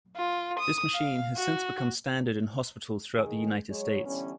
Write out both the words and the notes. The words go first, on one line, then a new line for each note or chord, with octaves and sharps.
This machine has since become standard in hospitals throughout the United States.
F4
D#6
F5
F#4
D#3 G#4
F#3 G#3 C#5
D3 E3 G3 B3 C#4